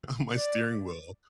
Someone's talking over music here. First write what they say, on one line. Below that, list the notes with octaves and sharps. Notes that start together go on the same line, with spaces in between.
on my steering wheel,
D5